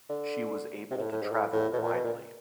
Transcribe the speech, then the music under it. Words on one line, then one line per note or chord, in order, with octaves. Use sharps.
She was able to travel widely.
D3
C3
G#2
A2
A2
G#2
A2
A2
B2
A2
A#2
B2
A#2